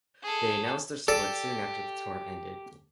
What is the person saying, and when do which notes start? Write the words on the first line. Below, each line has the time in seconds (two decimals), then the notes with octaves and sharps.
They announced their split soon after the tour ended.
0.23 G#4 A4
1.08 G4 A4 D5